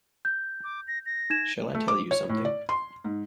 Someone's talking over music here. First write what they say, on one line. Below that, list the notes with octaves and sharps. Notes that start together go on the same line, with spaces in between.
Shall I tell you something?
G6
D6
A#6
A#6
D#4 G#6 E7
A3
D6
C#5
A2
D5
C6
G#2